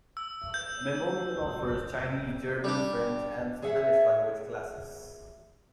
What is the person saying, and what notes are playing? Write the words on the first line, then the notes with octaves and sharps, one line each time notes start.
Memorial offers Chinese, German, French and Spanish language classes.
E6
G6
G3 D4
G#4 C#5 E5 F#5